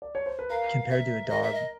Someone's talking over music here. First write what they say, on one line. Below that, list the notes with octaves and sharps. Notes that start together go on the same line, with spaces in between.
compared to a dog,
D5
C#5
C5
B4
A#4 F5
E5
A#4 D#5
E5
D#5